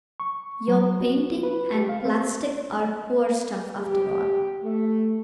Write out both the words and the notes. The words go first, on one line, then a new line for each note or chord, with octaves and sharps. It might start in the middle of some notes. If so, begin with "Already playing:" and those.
Your painting and Plastik are poor stuff after all.
C#6
F#3
F#4
B4
G4
F5
C4
G4
A3